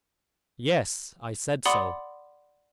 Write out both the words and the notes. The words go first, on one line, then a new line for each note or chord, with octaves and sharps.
"Yes, I said so."
D5 F#5 B5 C6 D6 D#6